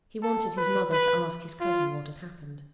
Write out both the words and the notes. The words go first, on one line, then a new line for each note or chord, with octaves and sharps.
He wanted his mother to ask his cousin what had happened.
A4
B4
B4
F4